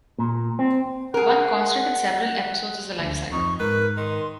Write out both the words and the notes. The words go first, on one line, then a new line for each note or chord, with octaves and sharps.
One constant in several episodes is the life cycle.
A#2
C4
G#4 A#4 F#5
D2
F2 D#4 C#6
G#2 A#4 B4
D#3 C6